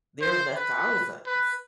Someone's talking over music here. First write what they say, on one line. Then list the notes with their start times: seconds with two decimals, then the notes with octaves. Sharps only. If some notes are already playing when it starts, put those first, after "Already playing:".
they're in the thousands,
0.21 C5
0.56 B4
1.26 B4